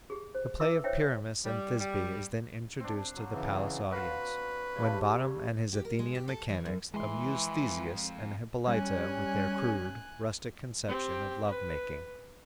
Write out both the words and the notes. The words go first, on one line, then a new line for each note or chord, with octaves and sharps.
The play of Pyramus and Thisby is then introduced to the palace audience, when Bottom and his Athenian mechanics amuse Theseus and Hippolyta with their crude, rustic conception of love-making.
G4 G#4
C5
E4 B4 E5 D6 E6
C5 C#5 E5 G5
G3
G3
C4 D4
F#3
C#3 E3
F#4 B4 F5
C#3 G3 A3
G4
A#4
G#3
G4
A4
E3
F#2
F2 E3 G#3 C6
G3 C#4 G#5 F#6
C4 G4
B4